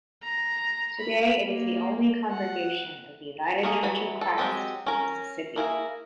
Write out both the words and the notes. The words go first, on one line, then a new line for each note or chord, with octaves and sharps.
Today it is the only congregation of the United Church of Christ in Mississippi.
A#5
B5
A#3
F#5
A3 A#3 G#4
E3 F#3 B5
A4
F#3 G#3 C4 G4
C#4 A#4
A#3 E4 G#4 A#4